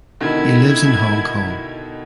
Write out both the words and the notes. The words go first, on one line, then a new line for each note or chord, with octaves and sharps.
He lives in Hong Kong.
B2 D3 D#3 E4 G#6